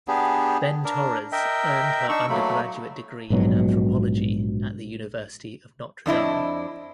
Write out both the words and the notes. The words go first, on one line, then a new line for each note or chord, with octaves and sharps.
Benn Torres earned her undergraduate degree in anthropology at the University of Notre Dame.
B3 D4 G4 G#4
D4 A#4
A#4 D#5 E5 G5
D4 D#4 C#6 E6
F#3 A3 A#3 B5
A#1 G#2 B2 F#3
F2 D4 E4 D#5